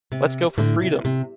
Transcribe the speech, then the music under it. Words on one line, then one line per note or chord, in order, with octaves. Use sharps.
Let’s go for Freedom!
C3
A2 D3
C3
C3